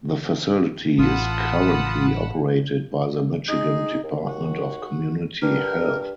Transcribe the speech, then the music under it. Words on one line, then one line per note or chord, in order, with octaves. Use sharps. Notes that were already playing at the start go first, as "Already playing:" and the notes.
The facility is currently operated by the Michigan Department of Community Health.
A1 F4 F#5 A5 B5 D#6
D#4 G#4
D#2
F#4
G2 A#4